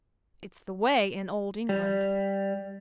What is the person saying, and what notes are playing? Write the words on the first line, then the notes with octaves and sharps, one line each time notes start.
It's the way in Old England.
G3